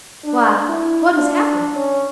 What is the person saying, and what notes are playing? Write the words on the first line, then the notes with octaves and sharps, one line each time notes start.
"Why, what has happened?"
D4
E4
D4
C#4